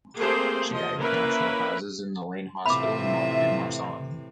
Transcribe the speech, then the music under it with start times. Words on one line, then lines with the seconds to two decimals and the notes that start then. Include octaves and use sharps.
She died of natural causes in the Layné hospital in Mont-de-Marsan.
0.19 A3 A#3 C4 G4 G#4 C5
0.71 F3 D#5
1.00 A#3 C#4 E4 A#4 B4 E5
2.66 A2 C3 E3 F4 E5 B5 D6